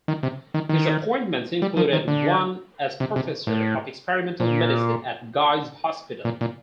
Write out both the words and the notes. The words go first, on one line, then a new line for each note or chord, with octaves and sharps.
His appointments included one as Professor of Experimental Medicine at Guy's Hospital.
D#3
C3
D#3
D#3
G3
F3
D#3
D3
C3
C3
A2
A#2
A#2
A#2